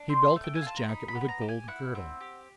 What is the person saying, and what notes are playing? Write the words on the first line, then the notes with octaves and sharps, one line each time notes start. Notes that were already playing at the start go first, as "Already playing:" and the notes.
He belted his jacket with a gold girdle.
Already playing: D4
C4 C6
A3
G5
G#5
F4 A5
A#5
D#4 B5
B5
B3
B5
A#5
G4
G#5
E4 F#5
C4
G4